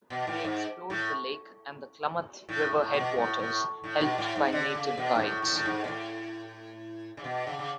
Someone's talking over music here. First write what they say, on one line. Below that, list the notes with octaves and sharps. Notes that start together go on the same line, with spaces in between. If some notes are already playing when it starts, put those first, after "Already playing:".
They explored the lake and the Klamath River headwaters, helped by native guides.
B2
A2
G#2
A2
A2
A2
B2
A2
A2
A2
B2
A2
G#2
D3
C#3
B2
G#2
A2
A2
A2
G#2
B2
A2
C#3
B2
C#3
C#3